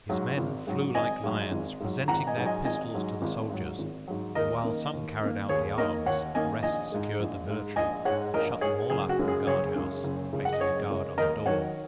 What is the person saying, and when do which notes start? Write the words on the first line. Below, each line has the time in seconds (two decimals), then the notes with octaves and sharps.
His men flew like lions, presented their pistols to the soldiers, and while some carried out the arms, the rest secured the military, and shut them all up in the guard-house, placing a guard on the door.
0.09 G#2 F#3
0.38 G#1
0.67 G#2 F#3
0.95 G#1 D#5 G#5
1.24 G#2 F#3
1.52 G#1
1.80 G#2 F#3
2.08 G#1 F#5 A#5
2.27 D#5 G#5
2.36 G#2 F#3
2.46 D#5 G#5
2.65 G#1 D#5 G#5
2.94 G#2 F#3
3.22 G#1
3.50 G#2 F#3
3.79 G#1
4.08 G#2 F#3
4.35 D#2 A#4 D#5
4.63 D#3 A#3
4.93 D#2
5.21 D#3 A#3
5.49 D#2 G#4 C#5
5.78 D#3 A#3 A#4 D#5
6.06 D#2 C#5 F#5
6.35 D#3 A#3 D#5 G#5
6.63 A#1 D#5 G#5
6.92 G#2 G#3
7.20 A#1
7.48 G#2 G#3
7.76 A#1 D#5 G#5
8.05 G#2 G#3 C#5 F#5
8.34 A#1 A#4 D#5
8.61 G#2 G#3 G#4 C#5
8.90 F#1 G#4
9.09 F#4
9.19 F#2 C#3 G#3
9.28 G#4
9.47 F#1 G#4 C#5
9.76 F#2 C#3 G#3
10.04 F#1
10.33 F#2 C#3 G#3
10.45 F#5
10.53 D#5
10.60 F#1 G#4 C#5
10.89 F#2 C#3 G#3
11.18 D#2 A#4 D#5
11.46 D#3 F#3 C#5 F#5